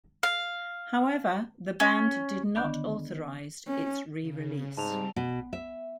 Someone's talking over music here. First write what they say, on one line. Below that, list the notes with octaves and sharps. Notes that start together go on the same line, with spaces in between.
However, the band did not authorize its re-release.
F5
C#4
D3 D#3 B3 D4
C#4
C#3
G#2 G3 C4 A5 F7
B2
E5